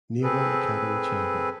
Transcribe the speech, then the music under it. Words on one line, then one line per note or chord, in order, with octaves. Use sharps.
Naval Academy Chapel.
C4 G#4 A4 B4